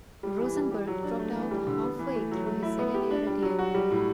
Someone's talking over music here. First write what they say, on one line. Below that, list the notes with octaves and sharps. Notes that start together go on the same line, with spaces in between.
Rosenberg dropped out halfway through his second year at Yale.
G3
E3
G3
G4
F#3
D4
A3
E3
G3
D3
B3
E3
A3
F#3
A3
E4
B3
G4
D4
G3
F#3
F#4
G3
A2